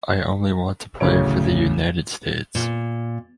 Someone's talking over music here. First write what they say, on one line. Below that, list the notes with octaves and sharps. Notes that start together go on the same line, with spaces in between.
I only want to play for the United States.
A1 D2 C#3 F#3 C#5 D7
A#2